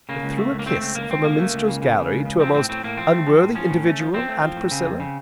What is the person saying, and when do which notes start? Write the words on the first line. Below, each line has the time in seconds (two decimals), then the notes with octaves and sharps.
"Threw a kiss--from a minstrel's gallery, to a most unworthy individual, Aunt Priscilla?"
0.09 C#3 A#3
0.23 C#2
0.38 A3
0.52 C#2
0.59 A#3
0.66 A3 C4
0.81 C#2 C4
0.95 C#2 A#3
1.10 C#2 C4
1.24 C#2 A#3
1.38 A3
1.54 C#2
1.68 C#3
1.82 C#3
1.97 C#3
2.12 C#2
2.25 C#3
2.40 F3 C4
2.54 A2 C4
2.69 A2 C4
2.84 A2 A#3
2.97 F3 C4
3.13 A3
3.27 F3
3.42 A2
3.55 F3 C#4
3.70 A2
3.85 A3
4.00 F3
4.14 F3 C4
4.28 A3
4.42 F3
4.56 A2
4.71 C#3
4.86 F2
5.00 C#3